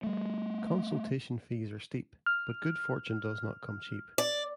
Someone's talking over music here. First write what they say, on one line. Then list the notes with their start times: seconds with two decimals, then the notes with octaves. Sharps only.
Consultation fees are steep, but good fortune does not come cheap.
0.03 G3 A3
2.26 F6
4.18 D5